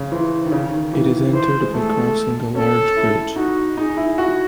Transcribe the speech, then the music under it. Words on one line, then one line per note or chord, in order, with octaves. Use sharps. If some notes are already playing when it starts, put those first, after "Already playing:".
It is entered by crossing a large bridge.
Already playing: C#3
E3 C5
D#3
C#3
D#3
E3
E3 C5
G#3
A3 A4
C#4 A4
E4
D#4 F#4
D#4 G#4
E4
F#4